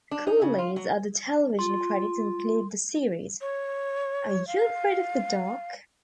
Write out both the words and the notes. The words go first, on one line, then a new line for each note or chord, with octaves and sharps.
Cooley's other television credits include the series, Are You Afraid of the Dark?
D4
D#4
C#3
F4
F#3
F4 C6
C#5
F5